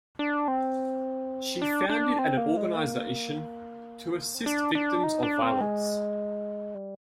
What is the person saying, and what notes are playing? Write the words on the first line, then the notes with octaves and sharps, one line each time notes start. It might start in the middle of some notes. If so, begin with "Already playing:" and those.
She founded an organization to assist victims of violence.
D4
C4
D4
D4
C4
A#3
G#3
A#3
C4
D4
D4
D#4
D4
C4
G#3
G3